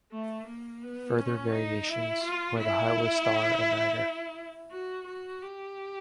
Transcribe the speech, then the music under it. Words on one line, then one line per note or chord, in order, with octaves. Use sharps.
Further variations, where the Highway Star, and Rider.
A3
A#3
B3
C#4
D#4
E4
F4
E4
F#4
F#4
G4